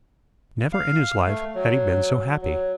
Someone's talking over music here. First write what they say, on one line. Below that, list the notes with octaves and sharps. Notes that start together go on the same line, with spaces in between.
Never in his life had he been so happy.
F5
A3
F#3
F#3